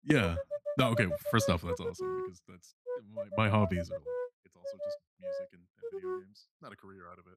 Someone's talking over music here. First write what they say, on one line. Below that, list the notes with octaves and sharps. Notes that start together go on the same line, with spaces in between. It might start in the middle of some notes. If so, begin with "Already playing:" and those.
Yeah, no, okay, first off, that's awesome because that's my my hobbies are like it's also just music and and video games, not a career out of it,
A#4
B4
C#5
D5
D5
E5
D5
D5
D5
C#5
B4
A#4
F#4
B4
D5
D5
D5
E5
D5
C#5
B4
C#5
D5
C#5
A#4
G4
F#4